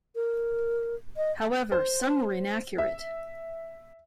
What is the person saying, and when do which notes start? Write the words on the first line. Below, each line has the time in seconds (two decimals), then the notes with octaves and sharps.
However, some are inaccurate.
0.16 A#4
1.17 D#5
1.72 C5
2.78 E5